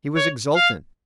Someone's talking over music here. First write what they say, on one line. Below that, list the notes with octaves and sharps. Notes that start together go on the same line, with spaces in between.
He was exultant.
C#5
F5